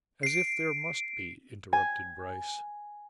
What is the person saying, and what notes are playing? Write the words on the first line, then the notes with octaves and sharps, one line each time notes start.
"As if there must be!" interrupted Bryce.
C7 D7
G#5